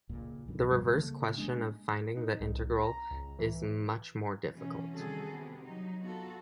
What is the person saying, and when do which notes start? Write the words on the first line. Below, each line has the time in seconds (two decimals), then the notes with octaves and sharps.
The reverse question of finding the integral is much more difficult.
0.09 C#2 A#2
0.47 C2 F#2 E3
0.70 C#2 G2 F3 G3
0.85 C#3 A3 A#3
1.38 G#3 A#3 D4
2.17 D#4
2.40 C2
2.82 A#5
3.11 C#2
3.39 E3
3.55 E3
4.55 B2 E3 C#4
4.92 C3 D#3 G3 F#4 G#4 A4
5.29 C3 B3
5.64 F#3 D#4
6.01 B3 F4 F#4 A4